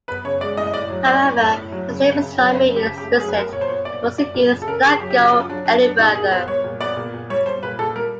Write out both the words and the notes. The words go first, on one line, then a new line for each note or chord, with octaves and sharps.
However, his name was not made explicit and proceedings did not go any further.
B3 B4
C#3 C#5
G#3 D5
A2 D#5
D#5
A2 D5
F#3
B3 D5
A2
A2
A2
F#3
C#3
C#3
C#3
F#3
C#3 C5
C#3
G4
C#3
G4
A3
F#3 G#4
B4
B3 A#4
A#2 C#5
C5
B3 C#5
A#2 D5
A#2
A#2 D5
A#2
C#3
A4
C#3 A#4
C#3 G#4
F#3 G4
G4
C#3 F#4
F#3 F4
F#3 D4
F#3 D4
B3 D4
A#2 D#4
A#2 G#4
B3 C5
G3 C#5
A#2
B3 D5
A#2
A#2
G3 C#5
G3 C5
A#2 B4
A#2 A4
G3 A#4